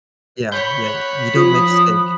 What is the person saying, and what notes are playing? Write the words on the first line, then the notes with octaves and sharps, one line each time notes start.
Yeah, yeah, you don't make steak.
C#5 F#5 B5 G6
F3 D#6